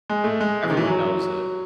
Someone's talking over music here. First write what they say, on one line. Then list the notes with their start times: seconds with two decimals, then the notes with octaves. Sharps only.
Mhm, everyone knows it.
0.10 G#3
0.24 A3
0.41 G#3
0.63 E3
0.70 D#3
0.77 E3
0.86 F#3